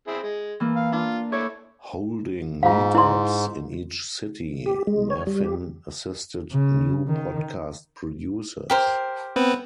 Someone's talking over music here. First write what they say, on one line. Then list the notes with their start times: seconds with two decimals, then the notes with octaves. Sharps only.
Holding "meetups" in each city, Maffin assisted new podcast producers.
0.07 C4 E4 G#4
0.23 G#3
0.60 E3 A#3
0.76 F5
0.92 D4 F4
1.32 A3 E4 C#5 D6
2.63 G#2 F4 F5
2.95 E4 C6
4.66 G4
4.87 G#3
5.10 C#5
5.27 G3
5.44 G4
6.52 C#3
7.08 D#3
8.70 G4 A#4 C5
9.36 B3 C4 B4